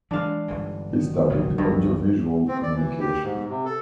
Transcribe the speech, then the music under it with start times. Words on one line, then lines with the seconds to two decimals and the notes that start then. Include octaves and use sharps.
He studied Audiovisual Communication.
0.11 E3 F#3 G#3 D4 F5
0.48 G1 G#2 E3
0.89 G#1 D#3 F#3
1.29 F1 A2 E3
1.58 D2 G2
2.48 C4
2.63 D5
2.74 E3
3.00 G4
3.23 G#2
3.49 C3
3.65 A4